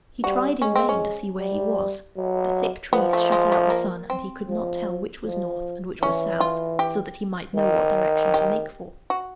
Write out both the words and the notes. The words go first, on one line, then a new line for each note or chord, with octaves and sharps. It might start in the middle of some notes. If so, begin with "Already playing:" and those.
He tried in vain to see where he was: the thick trees shut out the sun, and he could not tell which was north and which was south, so that he might know what direction to make for.
G3 F#4
G#3 C#4
C4
C#4
G3
F#3
F3 B3
A3
G#3
A3
A#3
C4
F3
F3
E3 C#4
F4
G4
D#3
G4
F#4